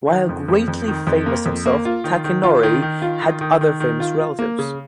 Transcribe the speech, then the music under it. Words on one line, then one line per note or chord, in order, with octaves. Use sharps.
While greatly famous himself, Takenori had other famous relatives.
D#3
F2
F2
F2
D#3
F2
A#3
F2
A#3
F4
D#3
D#3
F4
D#3
D#3
F4
D#3
D#3
D#3
D#3
F4
F4
A#3
C#3